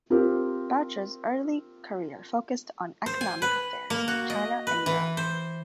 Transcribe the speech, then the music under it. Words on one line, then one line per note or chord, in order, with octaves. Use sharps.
Boucher's early career focused on economic affairs, China and Europe.
C4 F4 G4 A#4
C5
G#5
B4
A#3
F#4
D#5
B4
E3
C5